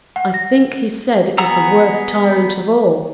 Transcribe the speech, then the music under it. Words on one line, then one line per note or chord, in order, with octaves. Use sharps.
I think he said it was the worst tyrant of all.
F#5
A#6
B3 G#4 F#5 A#5 E6